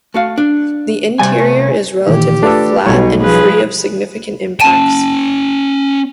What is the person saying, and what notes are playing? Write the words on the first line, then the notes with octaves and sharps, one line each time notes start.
The interior is relatively flat and free of significant impacts.
A3 F#4 F5
D4
C3 G3 G#5
A3
A#2 D#3 E3 G4
A3 D4 F4 A4 B4
B1 B2 G3 C#5
F3 G#4 B4
C#4 G5 A5 D#7 E7